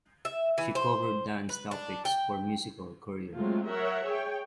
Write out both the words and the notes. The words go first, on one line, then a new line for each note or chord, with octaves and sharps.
She covered dance topics for "Musical Courier".
E5
E3
C5
B4
D4
G5
F#3 G#3 A3 C4 F4
A#4 C#5 E5 F#5
G#4 C#5 G5